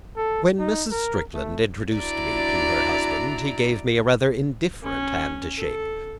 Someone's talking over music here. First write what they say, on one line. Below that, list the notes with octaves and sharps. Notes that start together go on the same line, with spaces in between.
When Mrs. Strickland introduced me to her husband, he gave me a rather indifferent hand to shake.
A4
D#4
A#4
A3
D4 E4 F#4 D5 A#5
C#4
A4